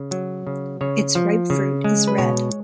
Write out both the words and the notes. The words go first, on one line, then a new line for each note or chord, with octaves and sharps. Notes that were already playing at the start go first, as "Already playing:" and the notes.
Its ripe fruit is red.
Already playing: C#3
F#3
C#3
C#3 C#5
F3
C#3
G#3
B4
B2 C#5